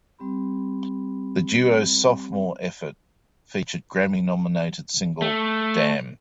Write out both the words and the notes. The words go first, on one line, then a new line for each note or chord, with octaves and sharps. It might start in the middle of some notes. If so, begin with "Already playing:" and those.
The duo's sophomore effort featured Grammy-nominated single Damn!
G3 C4 G4 B5
A3